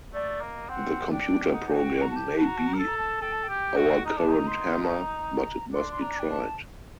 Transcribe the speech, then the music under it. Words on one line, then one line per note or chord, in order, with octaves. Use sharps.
The computer program may be our current hammer, but it must be tried.
A3 D5
A#3 D#5
C4 F#5
D4 G5
G5
D#4 F#5
G4
F#4
G5
F#4
A#5
A5
G4
F#4 A5
A#5
A5
A#5
A#4
A4 A5
A#5
A5
A4 G5
A5
G5
G4
F#4
D#4 A#5
D4 A5
D#4 A#5
C6
A5
A#5
D4 C6
C6
A#5
G5
A5